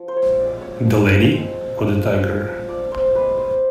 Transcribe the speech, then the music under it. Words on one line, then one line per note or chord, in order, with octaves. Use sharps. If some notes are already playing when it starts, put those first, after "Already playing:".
The Lady, or the Tiger?
Already playing: F3
C5
C#5
G#3 C4 D5
C#5
F3
G#3 C4
F3
G#3 C4
F3 D5
C5
G#3 C4 B4
C5